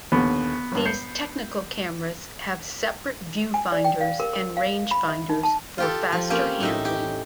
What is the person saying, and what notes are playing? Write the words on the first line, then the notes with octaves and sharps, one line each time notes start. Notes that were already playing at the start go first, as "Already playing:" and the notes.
These "technical cameras" have separate viewfinders and rangefinders for faster handling.
D#2 A#2 D3 B3
G1 G2
G6 C7 C#7
G#5
D5
G5
F5
A#4
A#4
F5
B5
E5
D#4
A5
F4 G4 A4
F3
A#3 C4 C#4 G4
A2 D#4 E5
G4